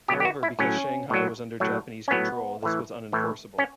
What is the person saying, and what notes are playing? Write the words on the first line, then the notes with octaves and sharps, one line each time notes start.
However, because Shanghai was under Japanese control, this was unenforceable.
B2 F#3 G4
G4
F#4
E4
A2 F#3 C#4
A2 F#3
A2 F#3
C#4
A2 F#3 B3
A2 E3
A2 E3
C#4